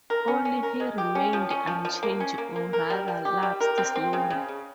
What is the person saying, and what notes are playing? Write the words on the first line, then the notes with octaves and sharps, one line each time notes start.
Only he remained unchanged, or rather, lapsed slowly.
A#4
C#4
C#4
A#4
G#3
G4
C#4
F3
C#4
F3
F3
A#3
C#4
A#3
A#3
A#4
G3
G3
G4
G3
A#4
C4
C4
C#3
C#3
C#3